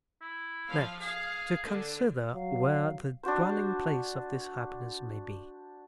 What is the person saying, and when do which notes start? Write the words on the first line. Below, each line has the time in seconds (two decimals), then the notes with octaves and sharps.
'Next to consider where the dwelling-place of this happiness may be.
0.22 E4
0.69 F3 F5
1.02 G#4 F5
1.64 D3
2.33 F#3 F5
3.23 D4 F#4 C5